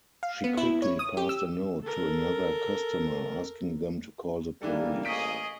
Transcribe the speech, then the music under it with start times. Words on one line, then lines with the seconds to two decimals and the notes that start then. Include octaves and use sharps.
She quickly passed a note to another customer asking them to call the police.
0.23 F5
0.44 B3
0.57 E4
0.82 C#5
0.99 D#6
1.17 G4
1.29 E6
1.83 A4 A#4
4.62 E3 G3 A#3 D4 A4
5.05 A1 G#4 D#5 C#6 B6 D7